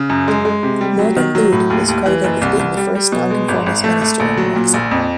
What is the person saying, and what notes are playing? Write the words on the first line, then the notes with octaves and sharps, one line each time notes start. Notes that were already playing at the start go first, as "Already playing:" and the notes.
Morgan Llwyd is credited with being the first Nonconformist minister in Wrexham.
Already playing: C#3
F#2
G#3
G#3
C3
G3
F#3
D#3
F#3
A2
D#2
D#2
E3
F#1
C2
C2
G3
G3
B2
G#3
G#1
G#1
A3
A3
A#1
F#3
A#2
A#1
F2